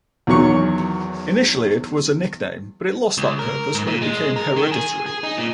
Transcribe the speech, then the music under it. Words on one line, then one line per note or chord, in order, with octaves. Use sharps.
Initially, it was a nickname, but it lost that purpose when it became hereditary.
E2 D#3 F#3 C#6
C#2
A#4
G#2
A#2
G#3
A#4
D#3
G#4
G#4
D#4
A#2